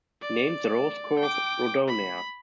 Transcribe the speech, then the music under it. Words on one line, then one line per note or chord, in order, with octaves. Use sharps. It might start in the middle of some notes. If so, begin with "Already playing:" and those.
He named the rose curve "rhodonea".
D5
G5 D6
B5